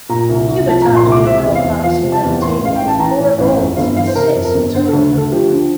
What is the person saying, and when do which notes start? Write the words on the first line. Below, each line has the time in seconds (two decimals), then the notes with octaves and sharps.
Cuba topped the overall boxing medal table with four golds and six in total.
0.09 A#2 A#5
0.29 C2
0.47 C2
0.67 F3 A5
0.82 A#5
0.87 A#2
0.96 C6
1.05 C2
1.11 D6
1.25 C3 E5
1.44 E2
1.55 F5
1.64 E2
1.84 F3 F5
2.02 C3
2.12 A5
2.22 E2
2.41 A2 C6
2.61 A1 F5
2.76 G5
2.81 A1
2.87 A5
2.99 E3 A#5
3.19 A2
3.38 A1
3.57 F2
3.76 G1 F5
3.96 E3 F5
4.07 C5
4.15 C3 A#4
4.35 F2
4.45 A#4
4.55 G1
4.74 D3 C5
4.89 A4
4.93 D2
5.12 D2
5.17 A4
5.32 F3 G4
5.51 D3